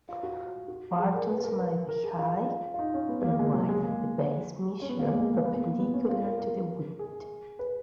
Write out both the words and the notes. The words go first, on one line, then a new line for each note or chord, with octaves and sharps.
Barchans may be high and wide at the base measured perpendicular to the wind.
F4
F#4
F#4
G#4
A#4
B4
A#4
B4
A#4
G#4
F4
F4
D#4
C#4
B3
A#3
G#3
F#3
G#3
A#3
C#4
B3
A#3
G#3
A#3
G#3
A#3
B3
A#3
B3
C#4
F4
A#4
A#4
G#4
B4